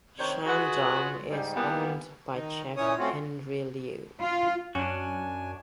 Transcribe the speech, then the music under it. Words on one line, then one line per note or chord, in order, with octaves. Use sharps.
Shandong is owned by chef Henry Liu.
C3 D#3 D4 C5 C#5
F4 F#4 G#4 B4 D#5 F#5
G#2 G3
E3 G3 A#3 B3
D#3 D#4
A#2 E3 C#4 C#5 D#6
A3 C4 C#4 F4 F#4
F4
F#2 C#4 D4 F#4 G#5